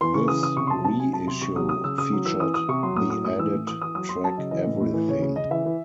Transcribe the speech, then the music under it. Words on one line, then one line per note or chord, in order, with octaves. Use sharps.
This reissue featured the added track "Everything".
E3 C6
C#3 C#6
E3 D#6
C#3 D#6
C3 C#6
C6
F#3 A5
C3 A5
F#3 G#5
F#3 A5
C3 C6
C3 C#6
F#3 D#6
F#3 D#6
C#3 E6
C#3 D#6
F#3
E3 E6
E3 D#6
E3 D#6
C3 C#6
F#3 C6
A2 D#6
F#3 D#6
A2 D#6
E3 E6
A2
E3 D#6
E3 D#6
F#3 D#6
F#3 C6
F#3 A5
C#3 D#5
E3 D#5
A2
A2
E3
C#3 C#5
C#3
C#3 D#5
E3 E5
E3